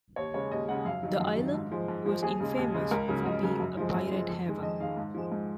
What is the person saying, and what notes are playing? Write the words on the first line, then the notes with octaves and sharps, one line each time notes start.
The island was infamous for being a pirate haven.
D#2 C#5
C#3 G#3 C#5
D#2 D#5
C#3 G#3 F#5
F#2 F5
D#3 F#3
F#2
D#3 F#3
G#2
F3 G#3
G#2
F3 G#3
D#2 G#4
C#3 G#3
D#2
C#3 G#3
C#2 A#4
C#3 F#3
C#2 D#5
C#3 F#3
F#2
F3 G#3
F#2
F3 G#3
F2
D#3 G#3
F2 D#5
D#3 G#3 F5
G#2
F3 G#3
G#2